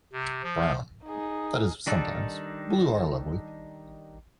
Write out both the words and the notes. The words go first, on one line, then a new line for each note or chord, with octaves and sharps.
Brown — that is, sometimes; blue are lovely.
C3
F3
D#4 G#4
D#3 G3 D4 D#4 A4